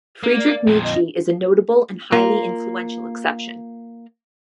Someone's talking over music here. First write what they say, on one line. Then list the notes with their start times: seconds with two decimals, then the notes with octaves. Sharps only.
Friedrich Nietzsche is a notable and highly influential exception.
0.23 A#3
0.38 D5
0.67 F2 A#2
0.84 D#5
2.12 A#3 F4